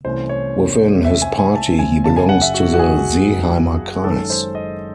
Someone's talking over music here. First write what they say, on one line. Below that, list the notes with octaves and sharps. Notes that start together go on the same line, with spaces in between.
Within his party, he belongs to the Seeheimer Kreis.
C2 C3 E3 A3 C#4 C5
C#5
E5
G#5
G#5
A5
G#5
F#1 F#2 C#3 A5
G#5
F#5
E5
F#4
F#4
G#4
F#2 D#3 G#3 C#4 A4
C5
D#5